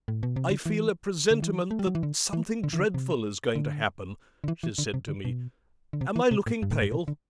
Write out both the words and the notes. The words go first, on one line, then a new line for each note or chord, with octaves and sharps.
'I feel a presentiment that something dreadful is going to happen,' she said to me; 'am I looking pale?'
A2
B2
C3
D3
E3
D3
E3
A3
G3
F#3
E3
D3
E3
D3
E3
D3
C3
D3
D3
E3
E3
D3
C3
D3
B2
D3
C3
E3
C3
A2
G2
A2
G2
B2
D3